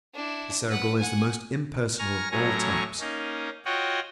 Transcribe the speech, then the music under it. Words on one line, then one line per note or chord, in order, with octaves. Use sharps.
The Cerebral is the most impersonal of all types.
D4 E4
B4 F#5
F#5 G#5
G#5 A#5 C#6 F6
A2 F#3 C#4 G#5 A#5 C#6
A#3 C#4 D#4
F4 F#4 C#5 D#5 F#5 G5